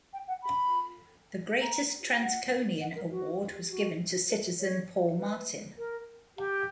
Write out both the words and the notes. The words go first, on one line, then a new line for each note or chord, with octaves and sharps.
The Greatest Transconian award was given to citizen Paul Martin.
G5
F#5
B5
A#5
G5
F#5
F#5
A#4
F#4
F#4
B4
C#5
B4
A#4
G4